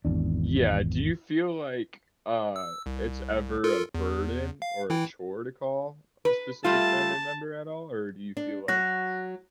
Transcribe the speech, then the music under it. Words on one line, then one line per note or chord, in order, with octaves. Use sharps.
Yeah, do you feel like, uh, it's ever a burden or a chore to call a specific family member at all? Or do you feel like
G#1 E2 D4
E6
C2
F4 A4 A#4
E2
F5
E3 E4 G5
B4
G3 A3 F4 A5
D4
F#3 F#4 F#6 A#6